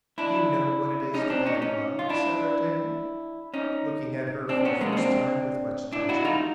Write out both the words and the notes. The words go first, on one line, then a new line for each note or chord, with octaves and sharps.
"You know what it is to be in love?" said d'Artagnan, looking at her for the first time with much attention.
D4 E4
C#4 D#4
C4 D4
C#4 D#4
C#4 D#4
F4
D4 E4
C#4 D#4
C4 D4
B3 C#4
G#3 A#3
D#4
C4 D4
D4 E4
E4 F#4
D#4 F4